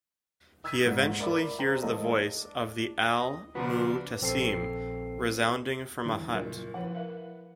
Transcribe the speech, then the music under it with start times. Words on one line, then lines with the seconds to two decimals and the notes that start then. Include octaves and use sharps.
He eventually hears the voice of the Al-Mu'tasim resounding from a hut.
0.64 D#6 E6 G#6 A6 B6 D#7
0.86 A#1 G#2
1.20 A#4 D5 E5 B5 D6
1.59 C5 G5 A#5
1.82 E3 G#3 A#3 A4 C#5 D#5
2.34 D4
3.11 G4 D#5
3.55 C#3 F3 G#3 D4 F#4 B4 A#5
4.21 A#1 C4 A4 C7
6.06 E2 D3
6.32 F#1 A#2
6.74 F3 E4 B4 F#5
6.95 A#4 E5 F5